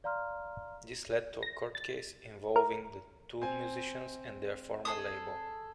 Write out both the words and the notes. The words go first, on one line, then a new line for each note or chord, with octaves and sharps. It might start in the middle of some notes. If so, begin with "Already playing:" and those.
This led to a court case involving the two musicians and their former label.
D5 F5 A#5 C6 F6
A#6
A6
A#4
C4 G#5
G#4 A4 D#6